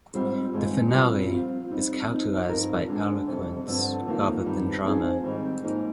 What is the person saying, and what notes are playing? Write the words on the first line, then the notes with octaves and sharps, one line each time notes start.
The "Finale" is characterised by eloquence rather than drama.
G#2 G3 C4 F4 C5
G2 D#3 G#3 C4 F4
A#2 G3 C4 F4
F3 C4 F4 C5
G3 C4 D#4
F3 C4 D#4
G2 F3 C4 D#4 A#4
D3 G#3 D4 G#4 C5
F2 C3 G3
G2 D3 F3 C4
F2 D#3 A#3 F4
G2 D#3 G3 C4
F3 C4 D#4 G#4 C5
G#2 D#3 G3 C4
G#2 F3 A#3 D#4 A#4